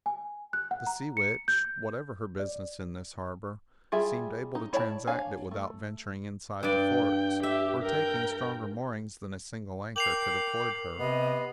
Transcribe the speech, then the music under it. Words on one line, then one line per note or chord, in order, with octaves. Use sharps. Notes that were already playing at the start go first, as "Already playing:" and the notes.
The "Sea Witch," whatever her business in this harbor, seemed able to transact it without venturing inside the forts, or taking stronger moorings than a single anchor could afford her.
G#5
F#6
F#5
A#5
C#7
G6
D5
G3 F4 G#4 E5
D#4
E4 C#5 D5 F#5 A5
D4 C#5 F5 G#5
A3
G2 D5 G5
G4 E5
A#4 G5
A#4 G5 D6 C7 F7 F#7
C3 B3 D#5